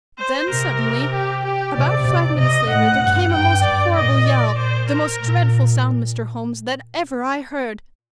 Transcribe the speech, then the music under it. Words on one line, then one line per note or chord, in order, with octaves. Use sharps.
Then suddenly, about five minutes later, there came a most horrible yell--the most dreadful sound, Mr. Holmes, that ever I heard.
C5
C3 A#4
G4
G4
C3 D5
C3
C3 D#5
A2 F#5
G2
G2 G5
G2 D5
A#2 D#5
D5
A#2 C5
A#4
A#2